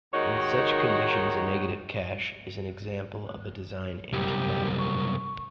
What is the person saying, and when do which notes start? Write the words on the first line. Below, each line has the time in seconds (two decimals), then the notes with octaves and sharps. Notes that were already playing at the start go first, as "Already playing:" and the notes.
In such conditions a negative cache is an example of a design anti-pattern.
0.14 D#2 D#3 G#3 D#4 F#4 C#5
4.13 C2 F#2 G4
4.78 C#6